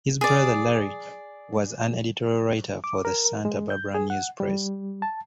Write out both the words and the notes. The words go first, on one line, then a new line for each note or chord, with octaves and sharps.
His brother, Larry, was an editorial writer for the "Santa Barbara News-Press".
G#4 D5
D6
A#4
G#3
G6
G#4
F#5
G3
A5